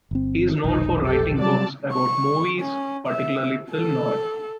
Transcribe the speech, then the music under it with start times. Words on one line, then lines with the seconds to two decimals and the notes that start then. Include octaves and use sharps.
He is known for writing books about movies, particularly film noir.
0.11 G1 C4
0.64 F1 B1 D#4
1.05 G4 A4
1.38 C3 F#3 G3 D5 A5
1.93 C#6
2.60 C#4
3.07 E5
3.71 A4